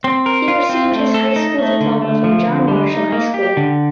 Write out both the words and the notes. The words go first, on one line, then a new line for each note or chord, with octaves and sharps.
He received his high school diploma from John Marshall High School.
C4
A#4
F4
C4
A3
A4
D#4
A3
D3
A3
F3
D3
G3
D#4
A#3
G4
D3